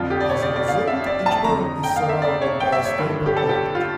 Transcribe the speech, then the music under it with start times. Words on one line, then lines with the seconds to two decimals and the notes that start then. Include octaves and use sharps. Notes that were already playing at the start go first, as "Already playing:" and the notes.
As a result, each boron is surrounded by a stable octet.
Already playing: F2 D3 F3 F4
0.10 G4
0.21 D5
0.30 C#5
0.43 D5
0.56 D5
0.68 F5
0.87 E5
1.06 D5
1.26 A5
1.44 F2 D3 F3 A#5
1.84 G5
1.96 F5
2.09 E5
2.22 D5
2.42 C#5
2.60 G5
2.72 E5
2.85 C#5
2.99 G2 D3 F3
3.26 G4
3.37 A4
3.49 G4
3.75 F4